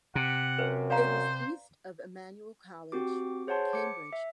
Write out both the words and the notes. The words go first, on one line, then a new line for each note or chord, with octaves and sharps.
It is east of Emmanuel College, Cambridge.
C3 F#5
F#2 B4
C5 D5 F5 A#5
C4 F#4 G4 D6
G#4 C5 C#5 F#5 A5 C6
D6 C#7
E5